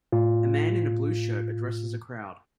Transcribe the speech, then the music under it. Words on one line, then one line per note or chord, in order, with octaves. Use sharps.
A man in a blue shirt addresses a crowd.
A2 F4